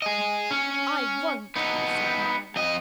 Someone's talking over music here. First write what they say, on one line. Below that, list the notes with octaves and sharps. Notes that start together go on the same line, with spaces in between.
"I won't!" said Mary.
G#4 D#5
C#4
B3 D#4
F2 D#5